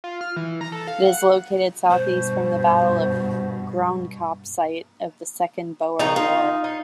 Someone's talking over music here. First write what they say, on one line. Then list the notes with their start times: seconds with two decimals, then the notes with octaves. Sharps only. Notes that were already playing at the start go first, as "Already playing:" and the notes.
It is located southeast from the Battle of Groenkop-site of the Second Boer War.
0.04 F4
0.21 F6
0.37 E3
0.61 A#5
0.72 A4
0.87 F5
1.06 F#5
1.90 G2 B2 C5
5.99 F2 C#3 D#4 A#5
6.16 F4
6.64 D#4